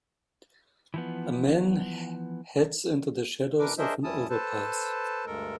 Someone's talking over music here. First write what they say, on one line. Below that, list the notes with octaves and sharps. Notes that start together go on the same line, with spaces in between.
A man heads into the shadows of an overpass.
E3 F3 B3
B2 E3 D4 A#4 B4 D6
D4 G#4 A#4 C5 D#5 E5
F2 G3 C#4 E4 A5 D#6
A4 B4 C5 A5
D2 G2 G#3 A4 A#4